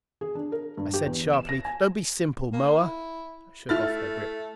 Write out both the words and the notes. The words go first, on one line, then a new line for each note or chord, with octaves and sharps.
I said sharply, "Don't be simple, Moa!" I shook off her grip.
G#4
D4
A#4
G2
G4
E2
E7
A#6
G#5
A#3
E4
A3 E4 F6 A6